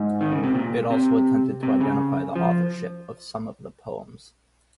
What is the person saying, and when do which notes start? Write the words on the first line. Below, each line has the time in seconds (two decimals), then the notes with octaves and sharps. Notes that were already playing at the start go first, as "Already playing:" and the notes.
It also attempted to identify the authorship of some of the poems.
Already playing: G#2
0.21 D#3
0.31 C#3
0.44 C3
0.54 A#2
0.90 C3
1.63 C3
1.81 C#3
2.36 F3